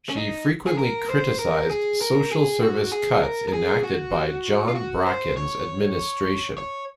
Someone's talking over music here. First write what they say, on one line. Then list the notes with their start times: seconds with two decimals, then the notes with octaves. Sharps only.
She frequently criticised social service cuts enacted by John Bracken's administration.
0.09 C#4
0.17 D#4
0.67 G#4
0.78 A#4
1.10 C5
1.39 A#4
1.70 G#4
2.01 A#4
2.32 G#4
2.62 F#4
2.92 G#4
3.16 G#4
3.23 A#4
3.48 A#4
3.53 G#4
3.83 F#4
4.68 F4
4.75 F#4
5.06 C5
5.37 C#5
6.58 C#5